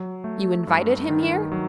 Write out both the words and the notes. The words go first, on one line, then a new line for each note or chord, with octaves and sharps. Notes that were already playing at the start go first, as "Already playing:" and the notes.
You invited him here?
Already playing: F#3
A3
G2
D#3
F#3